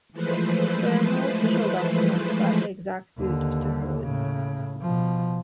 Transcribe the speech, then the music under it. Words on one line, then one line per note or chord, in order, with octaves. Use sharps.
There are no official documents about the exact route of The Road.
E3 F3 G#3 A3 B4 C5
D#2 D3
A2 C#3
B2 F3